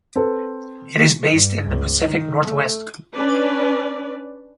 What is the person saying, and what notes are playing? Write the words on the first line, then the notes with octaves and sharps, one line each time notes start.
It is based in the Pacific Northwest.
C4 A4 B4
G2
C#2
D#3
A3
C#4 D4 B4 D5